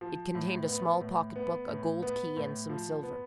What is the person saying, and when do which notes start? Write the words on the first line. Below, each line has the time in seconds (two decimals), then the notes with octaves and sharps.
It contained a small pocket-book, a gold key, and some silver.
0.01 F3
0.35 A2
0.68 B3
1.01 A2
1.36 B3
1.68 A2
2.02 B3
2.37 A2
2.69 F3
3.03 B3